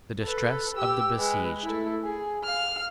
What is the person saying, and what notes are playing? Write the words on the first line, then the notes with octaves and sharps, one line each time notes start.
The distress of the besieged.
A4 B4
G4 E6
G#3 B4
A3 E4
G#4
F5 F6